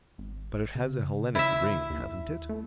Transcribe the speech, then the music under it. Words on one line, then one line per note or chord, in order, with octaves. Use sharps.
But it has a Hellenic ring, hasn't it?
G#1
C#3
E4 E5
D#2
A3